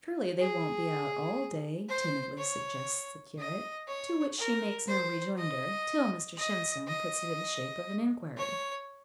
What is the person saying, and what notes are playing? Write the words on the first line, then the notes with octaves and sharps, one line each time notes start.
"Surely, they won't be out all day," timidly suggests the curate; to which she makes no rejoinder, till Mr Shenstone puts it in the shape of an inquiry.
G#4
C5
C#5
D#5
C#5
A#4
C5
D#5
D#5
D#5
C#5